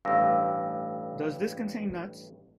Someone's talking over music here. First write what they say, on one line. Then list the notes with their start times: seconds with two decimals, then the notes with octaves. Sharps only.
Does this contain nuts?
0.05 A1 G2 F5 E6 A#6